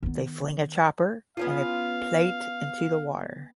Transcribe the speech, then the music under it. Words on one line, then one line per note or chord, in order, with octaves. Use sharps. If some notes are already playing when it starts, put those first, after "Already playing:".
They fling a chopper and a plate into the water.
D#3 B3
B3 C#4 F4 F5